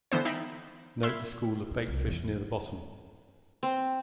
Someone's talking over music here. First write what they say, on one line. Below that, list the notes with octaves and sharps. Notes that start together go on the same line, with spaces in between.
Note the school of baitfish near the bottom.
D3 E3 B3 C5
D#4 E5 G5 B5
E5 B5 C6 E6 F6 G#6
D4
C2 F2
E2 E3
C4